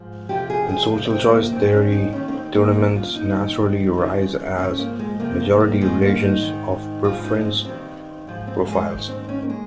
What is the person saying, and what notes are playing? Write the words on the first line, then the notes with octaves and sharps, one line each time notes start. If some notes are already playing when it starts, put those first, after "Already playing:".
In social choice theory, tournaments naturally arise as majority relations of preference profiles.
Already playing: G#2 F3
F2 C3 F3 G4
G#4
G#4
F2 C3 F3
C4
G#3
A#3
G#2 D#3 C4
C#4
D#4
D#2 D#3 C#4
A#3
C4
A#3
D#2 C#3 F3 A#3
F4
D#4
D#2 D#3
D#2 C#3 F3
G#2 F3 C#4
A#3
G#3
F2 C3 F3 A#3
A#3
A#3
G#2 D#3 G#3
A#3
D#4
G#2 D#3
G#2 F3 F4
D#4
C4
G2 D#3 C4
G#2 F3
C4
G#3
G#2 D#3
C4
C4
C#4
A#3
G#3